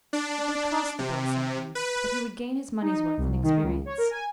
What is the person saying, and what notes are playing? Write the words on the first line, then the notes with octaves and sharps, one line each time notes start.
It would cost the boy something, but he would gain his money's worth in experience.
D4
C3
B4
D#4
C2
D#3
C#2
C#5
A#4
G#5